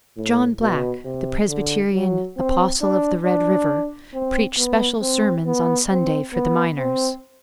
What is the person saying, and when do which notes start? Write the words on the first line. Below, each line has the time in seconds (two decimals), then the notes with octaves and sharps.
John Black, the Presbyterian 'apostle of the Red River,' preached special sermons on Sunday for the miners.
0.17 A2
0.61 B2
1.05 C3
1.48 D3
1.93 F#3
2.37 C4
2.81 D4
3.25 D4
4.14 C4
4.58 B3
5.02 C4
5.46 B3
5.90 C4
6.33 B3
6.78 C4